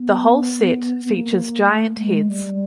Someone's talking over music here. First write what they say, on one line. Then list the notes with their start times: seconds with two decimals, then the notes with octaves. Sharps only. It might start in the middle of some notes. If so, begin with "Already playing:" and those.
The whole set features giant heads.
Already playing: B3
1.05 B3
1.11 A#3
1.70 A3
1.99 G#3
2.29 G3